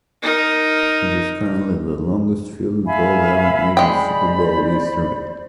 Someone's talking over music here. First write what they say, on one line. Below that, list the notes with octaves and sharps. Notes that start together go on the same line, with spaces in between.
It is currently the longest field goal ever made in Super Bowl History.
D#4 A#4
E5 F5 G#5 B5
G#3 C5 D5 G5